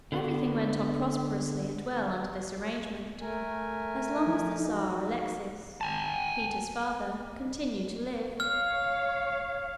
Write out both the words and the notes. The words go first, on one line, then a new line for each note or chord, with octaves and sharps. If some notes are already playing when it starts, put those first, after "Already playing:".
Every thing went on prosperously and well under this arrangement as long as the Czar Alexis, Peter's father, continued to live.
D3 B3
A3 A#4 G#5
F3 D#4
F#4
G#5 A5
C#5 F5 F6